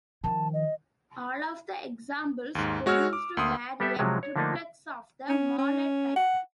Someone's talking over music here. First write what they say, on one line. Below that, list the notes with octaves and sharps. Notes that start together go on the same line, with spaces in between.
All of the examples produced were a Triplex of the Mallet type.
D#3 F3 A5
D#5
D#2 G#2
G#3 F#4 C#5 E6 F6
D6
D2 A#3 C6 D#6
G3 B3 G4 A4 E5
C3 F3 F#3 G#3
C#5
D3 F3 A3 A#3 D4 D#4
C#4
C#4
F#5